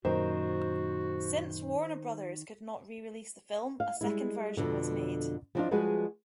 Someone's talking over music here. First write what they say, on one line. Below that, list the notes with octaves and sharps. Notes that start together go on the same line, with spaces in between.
Since Warner Brothers could not re-release the film, a second version was made.
F#2 A#2 D#3 F#4 C5
F5
G3 G#3 E4
F2 B2 D3
F3 B3 C4 D4 D#4 F4
F3 G3 G#3 F#4 G#4 B4